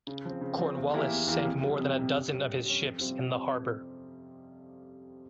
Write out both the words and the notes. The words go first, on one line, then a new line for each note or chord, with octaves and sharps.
Cornwallis sank more than a dozen of his ships in the harbor.
C#3
F3 C4
C#3
F3 C4
E2
E3 A#3 E4 G4
E2
E3 A#3 E4 G4
F2
C3 G3
F2
C3 G3
G2
G3 C#4
G2
G3 C#4
F2
C3 G3 C4 F4